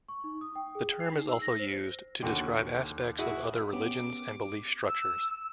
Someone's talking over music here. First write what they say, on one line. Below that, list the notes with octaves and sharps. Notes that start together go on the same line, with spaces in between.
The term is also used to describe aspects of other religions and belief structures.
C#6
D#4
D#6
G5
G#4
C7
D#4
E6
A#6
C5
D#2 D3 F#4 G5
E4 F#4 G#4
B3 C#4 G4 D6
E6